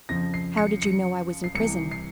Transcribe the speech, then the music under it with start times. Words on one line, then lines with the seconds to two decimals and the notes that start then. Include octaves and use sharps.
"How did you know I was in prison?"
0.09 F2 C#3 F3 A#6
0.34 C7
0.57 C#7
0.82 C#7
1.44 C7
1.55 C2 C3 E3 C#7
1.91 C7